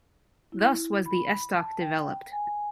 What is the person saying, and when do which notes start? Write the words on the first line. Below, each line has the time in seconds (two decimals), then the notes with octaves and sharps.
Thus was the estoc developed.
0.52 E4
1.06 B5
1.56 A5
1.81 G5
2.32 G#5